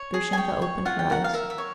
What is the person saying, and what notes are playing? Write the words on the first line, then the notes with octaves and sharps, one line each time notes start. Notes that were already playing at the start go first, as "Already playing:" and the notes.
Grushenka opened her eyes.
Already playing: C#5
G#4
G#5
C#5 G5
C#5
F4 F#5
G5
A#4 F#5
F5
A#4 E5
E5
C#5